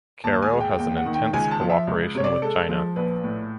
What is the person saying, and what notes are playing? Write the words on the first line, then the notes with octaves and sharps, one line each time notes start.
Caro has an intense cooperation with China.
D#2 A5
G#5
G#3
G5
D#2 G5
F#5
D#3
G5
C#2 G#5
A5
F3
E5
C#2
C3 C#5
D5
G#3 A4
F3
A#1 B4
A2